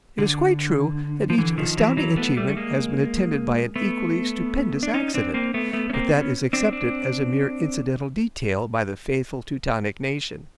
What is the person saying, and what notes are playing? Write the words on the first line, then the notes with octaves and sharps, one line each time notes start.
It is quite true that each astounding achievement has been attended by an equally stupendous accident, but that is accepted as a mere incidental detail by the faithful Teutonic nation.
D3
F3
D3 E3
D#3 F3
E3 F#3
E3 F#3
A3 B3
G3 A3
A3
G#3 A#3
A3 B3
D4
C#4 D#4
C4 D4
A#3 C4
A3 B3
A3 B3
C#4
A#3 C4
B3 C#4
C4 D4
C4 D4